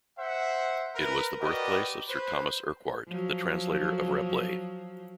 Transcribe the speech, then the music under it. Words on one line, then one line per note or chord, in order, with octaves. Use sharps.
It was the birthplace of Sir Thomas Urquhart, the translator of Rabelais.
C5 E5 F#5
A#4 B4
F#4 G4 A#4 B4 D5 D#5
B4 C5
F3 F#3